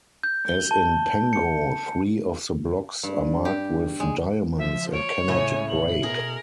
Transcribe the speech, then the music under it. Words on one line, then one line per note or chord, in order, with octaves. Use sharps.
As in "Pengo", three of the blocks are marked with diamonds and cannot break.
G6
G7
A5
C#7
G2
G4
G#3
F3 E5
C#5 D7
A2 C#3 E4 G#5
F#7
B2 G#4 A#4